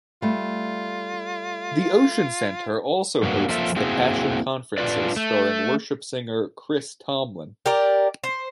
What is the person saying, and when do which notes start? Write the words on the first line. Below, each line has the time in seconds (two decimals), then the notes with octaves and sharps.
The Ocean Center also hosts The Passion Conferences starring Worship singer Chris Tomlin.
0.22 G3 A3 F4
3.23 G2 F#3 A#3 B3 F#4
3.49 F3 A#3 F4 A4 A#4 E5
3.76 A#3 C4 E4 F#4 G#4
4.78 D4 F4 B4 D5
5.16 A3
7.66 G4 A#4 D5
8.24 C5